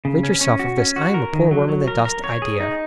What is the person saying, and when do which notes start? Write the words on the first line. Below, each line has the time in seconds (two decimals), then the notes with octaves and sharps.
Rid yourself of this I-am-a-poor-worm-in-the-dust idea.
0.05 C#3
0.23 C#4
0.41 C#4
0.59 F#4
0.78 C#4
0.96 F#4
1.14 A#4
1.33 D#3
1.51 F#3
1.69 F#3
1.88 A#4
2.05 A#4
2.24 C#5
2.42 G#4
2.60 D#4